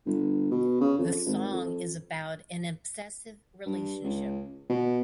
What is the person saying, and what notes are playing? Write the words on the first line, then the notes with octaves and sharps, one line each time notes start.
The song is about an obsessive relationship.
G1
B2
C#3
F2
G#1
F2
G2
C#2
B2